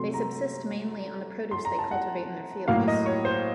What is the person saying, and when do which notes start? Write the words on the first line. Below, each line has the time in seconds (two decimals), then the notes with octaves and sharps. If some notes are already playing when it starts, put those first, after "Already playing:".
They subsist mainly on the produce they cultivate in their fields.
Already playing: C3 F#3 A3 C6
0.14 A#5
1.51 C6
1.65 A#5
1.79 A5
1.91 F#5
2.68 A2 F#3 A#3 F5
2.88 D#5
3.06 C#5
3.25 C5